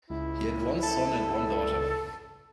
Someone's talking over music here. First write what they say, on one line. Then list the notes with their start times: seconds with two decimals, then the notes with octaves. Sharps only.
He had one son and one daughter.
0.10 C#2 E4
0.83 A4